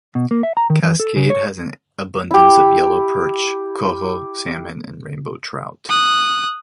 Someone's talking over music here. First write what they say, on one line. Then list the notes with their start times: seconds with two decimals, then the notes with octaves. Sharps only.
Cascade has an abundance of yellow perch, coho salmon, and rainbow trout.
0.15 B2
0.31 A#3
0.43 E5
0.57 A#5
0.70 D#3
0.83 E3
1.00 A4
1.16 C#3
1.30 C#5
2.31 E4 G4
5.89 D#6 F#6